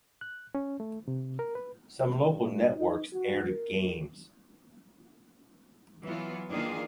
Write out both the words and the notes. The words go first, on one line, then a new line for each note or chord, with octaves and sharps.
Some local networks aired games.
F#6
C#4
A3
C3
A#4
B4
G2
D#4
F#4
A#4
E3 F#3 B3 F4
D#3 E3 A#3 D4 F4 G#4